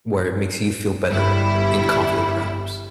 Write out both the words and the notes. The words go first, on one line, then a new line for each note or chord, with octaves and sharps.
where it makes you feel better and confident perhaps.
G1 G2 G3 E4